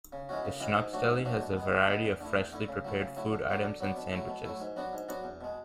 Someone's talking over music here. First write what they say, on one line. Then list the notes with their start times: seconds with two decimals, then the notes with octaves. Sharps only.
The Schnucks Deli has a variety of freshly prepared food items and sandwiches.
0.13 C#3
0.29 E3 G#3 C#4 F#4
0.45 C#3
0.60 E3 G#3 C#4 F#4
0.77 G#2
0.93 F#3 A3 D4 F#4
1.09 G#2
1.25 F#3 A3 D4 F#4
1.40 B2
1.57 G#3 B3
1.73 B2
1.88 G#3 B3
2.05 E2
2.20 D3 A3 E4
2.37 E2
2.53 D3 A3 E4
2.68 C#3
2.85 F#3 A3 E4
3.01 C#3
3.16 F#3 A3 E4
3.33 D3
3.48 F#3 B3 D4
3.64 D3
3.80 F#3 B3 D4
3.97 B2
4.12 F#3 A3 E4
4.28 B2
4.45 F#3 A3 E4
4.61 G#2
4.76 F#3 B3 D4 F#4
4.93 G#2
5.08 F#3 B3 D4 F#4
5.24 E2
5.41 B2 G#3